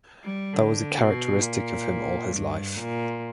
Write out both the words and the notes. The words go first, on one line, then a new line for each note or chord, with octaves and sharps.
That was characteristic of him all his life.
G3
D3
B2
A#2
G2
A#2